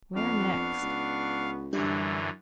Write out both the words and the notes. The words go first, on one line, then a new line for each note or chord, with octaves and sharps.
Where next?
F2 B3 D4 F5 C#6
C#2
F#2 D3 E3 G3 D4 G4